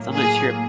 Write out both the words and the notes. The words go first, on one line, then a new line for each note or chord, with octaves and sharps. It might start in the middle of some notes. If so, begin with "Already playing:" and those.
so I'm not sure
Already playing: A2 F#3 A#3
G#4